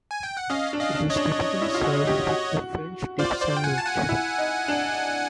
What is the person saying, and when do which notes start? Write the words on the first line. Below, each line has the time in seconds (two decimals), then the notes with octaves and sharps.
It is typically served with the French dip sandwich.
0.11 G#5
0.23 G5
0.37 F#5
0.50 C#4 D#5 F5
0.73 D4
0.80 D#5 F5
0.95 D4
1.10 C#5 D#5
1.17 D4
1.40 D#4
1.62 E4
1.74 F4
1.84 F#4
2.07 G4
2.29 F#4
3.19 F4 C5 D5
3.41 C5 D5
3.57 G5
3.64 F#5 G#5
3.78 A5
3.86 F#5 G#5
4.09 E4
4.38 D#4
4.68 D4